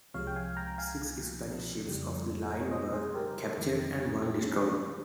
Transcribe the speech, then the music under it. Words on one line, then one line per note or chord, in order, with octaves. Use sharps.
Six Spanish ships of the line were captured and one destroyed.
C2 C3 F3 G#3 C#5 F5
G5
F5 G#5
G5 A#5
F5 G#5
F2 C#3 G3
C#5
C5 D#5
G#4 C5
G4 A#4
F2 D#3 G#3
C4
C#4
C4
C#4